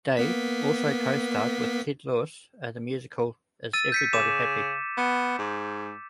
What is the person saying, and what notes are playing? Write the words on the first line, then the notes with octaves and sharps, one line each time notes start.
Day also co-starred with Ted Lewis in the musical Is Everybody Happy?
A#3 B3 B6
E6 A6 D#7
G6 B6 C#7
C#3 D6 E7
B3
G#2